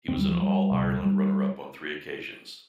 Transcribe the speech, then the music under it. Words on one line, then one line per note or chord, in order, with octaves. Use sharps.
He was an All-Ireland runner-up on three occasions.
D#2 D3 C4
G3
F3
G3
D2 C3
G3